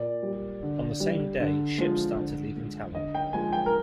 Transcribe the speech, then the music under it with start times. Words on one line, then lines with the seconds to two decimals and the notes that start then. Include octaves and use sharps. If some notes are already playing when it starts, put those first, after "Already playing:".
On the same day ships started leaving Tallinn.
Already playing: A#2 D5
0.23 G3
0.62 D3
1.00 G3
1.40 D3
1.78 F3 G#3
2.17 D3
2.56 G#3
2.95 D3 D#5
3.15 G5
3.33 F3 G#3 G#5
3.53 G5
3.66 A#4